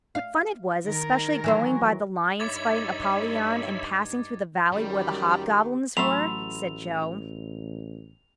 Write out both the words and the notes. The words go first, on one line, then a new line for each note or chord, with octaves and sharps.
"What fun it was, especially going by the lions, fighting Apollyon, and passing through the valley where the hob-goblins were," said Jo.
F5
D#3 A#4
E3 F#3 C5
G2 D#4 C#5 E5 B5 D6 G#6 A6
F#2 D#3 G3 G4
A1 F#3 A3 B5 C6 E6 F7